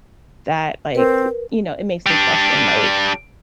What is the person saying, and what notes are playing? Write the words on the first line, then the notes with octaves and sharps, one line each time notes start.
that, like you know, it makes me question like,
C4 A#4 B4
G3 D4